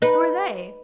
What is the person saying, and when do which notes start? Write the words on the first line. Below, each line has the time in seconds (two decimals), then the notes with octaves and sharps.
"Who are they?"
0.02 D#4 B4